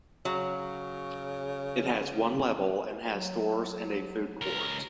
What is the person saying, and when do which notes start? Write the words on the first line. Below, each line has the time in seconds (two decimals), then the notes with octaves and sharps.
It has one level and has stores and a food court.
0.25 C#3 F#3
3.11 F#3
4.41 C#2 A#4